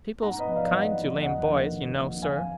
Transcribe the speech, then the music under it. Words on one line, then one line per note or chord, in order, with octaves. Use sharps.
People's kind to lame boys, you know, sir.
G#2 F#5 A#5
B4 D#5
F3 B3
D5 F5
G#2 D#5 F#5
F3 B3
D#2 D#5 F#5
D3 F3 A#3
D#2
D3 F3 A#3
F2 F5 G#5